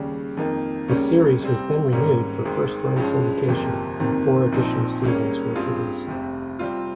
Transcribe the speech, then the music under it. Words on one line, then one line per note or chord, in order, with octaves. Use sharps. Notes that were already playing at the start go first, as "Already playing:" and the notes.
The series was then renewed for first-run syndication, and four additional seasons were produced.
Already playing: D#2 C#3 G3
F2 D#3 A#3 D#4
C#2 C#3 G3 A#3 C#4
C3 G3 C4
G#2 D#3 G3 A#3 C#4
G#1 G#2 D#3 G#3
G2 F3 G#3 C#4
G1 F2 C3 F3 A#3
G1 F2 C3 D#3 A#3
A#1 A#2 F3 C4 D#4
C#2 C#3 G3 A#3 C#4
G2 G3 C4 F4 G#4
F1 F2 C3
C3 G3 C4 F4